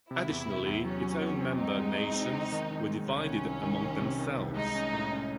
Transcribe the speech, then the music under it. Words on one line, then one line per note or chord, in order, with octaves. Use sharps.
Additionally, its own member nations were divided among themselves.
C3 E4
E2
C3
E2
F#3 C#4
F#3
E2
C4
C4 D#4
G#3
G#3
C4
C4
D#3
D#3
G#3
C2 C#4
D#3
C2
D#3
D#3
C3
D#3
C2
G#3 D#4
C#4
A2
C#4